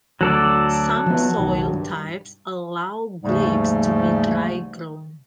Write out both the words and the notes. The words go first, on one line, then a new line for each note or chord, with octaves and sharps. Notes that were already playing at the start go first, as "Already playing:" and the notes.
Some soil types allow grapes to be dry-grown.
D2 F#3 A4 D5
F3 B3
F#1 B1 D#3
G2
D#2 G#2 C#3 F3 G3 A3